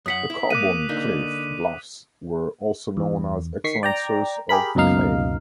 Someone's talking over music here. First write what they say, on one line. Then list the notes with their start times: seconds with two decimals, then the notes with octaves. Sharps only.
The Carbon Cliff bluffs were also known as an excellent source of clay.
0.06 F#2 F#5 D#6 B6 F#7
0.30 E4
0.50 A#3 D6 F#6 D#7
0.89 D3 A#3 D#4
2.97 E2
3.64 D#3 C#6 B6 C7
3.83 D5 G5 A#5
4.49 G4 G#4 A#4 B5
4.75 C#2 F#2 B2 A#3 D#4 F5